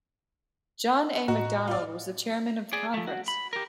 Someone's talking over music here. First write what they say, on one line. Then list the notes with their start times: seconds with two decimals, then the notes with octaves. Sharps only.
John A. Macdonald was the chairman of the conference.
1.28 A2 F#4 D#5 A#5
1.67 F4 D5
2.73 G#4 D5
2.94 F3 A3
3.07 F#4
3.28 B5
3.53 G4 A#4